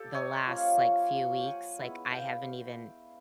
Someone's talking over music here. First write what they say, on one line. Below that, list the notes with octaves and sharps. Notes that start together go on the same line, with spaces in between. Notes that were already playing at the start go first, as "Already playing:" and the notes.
the last, like, few weeks, like, I haven't even
Already playing: G4 A4
C#5 D#5
F3 A#3 C#4 F4
G5
F#5 G#5
G#3 B3 E4
F5 G5